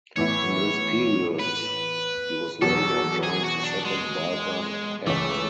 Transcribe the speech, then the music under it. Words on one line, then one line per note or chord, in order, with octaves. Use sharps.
In this period Yugoslavia joined the Second Balkan Pact.
A2 E3 B3 E4 C#5
B4
E2 B2 F#3 A4
G#4
F#4
D4
G#3
C#2 C#3 E3 A3